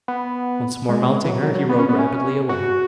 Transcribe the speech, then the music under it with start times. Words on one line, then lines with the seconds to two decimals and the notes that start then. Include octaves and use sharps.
Once more mounting her, he rode rapidly away.
0.08 B3
0.89 G#3
1.25 E3
1.29 F#3
1.42 F#3
1.55 F#3
1.69 B3
1.79 C#4
1.89 B3
1.99 C#4
2.49 F#4